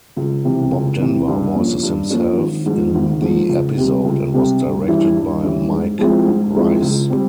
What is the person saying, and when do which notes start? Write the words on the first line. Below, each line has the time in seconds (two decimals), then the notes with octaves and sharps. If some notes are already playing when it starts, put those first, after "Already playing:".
Bob Denver voices himself in the episode and was directed by Mike Reiss.
0.16 C#2
0.44 C3 E3
0.72 C#2
1.00 C3 E3
1.28 G2
1.55 F3 A#3 C#4
1.83 G2
2.10 F3 A#3 C#4
2.38 G#1
2.66 G#2 F3
2.94 G#1
3.21 G#2 F3
3.49 C#2
3.77 C3 G3
4.05 C#2
4.32 C3 G3
4.60 G2
4.88 E3 G3 C#4 E4
5.16 G2
5.44 E3 G3 C#4 E4
5.71 G#2
5.99 F3 G#3 C4 E4
6.26 G#2
6.54 F3 G#3 C4 E4
6.82 C#2
7.10 G3 C4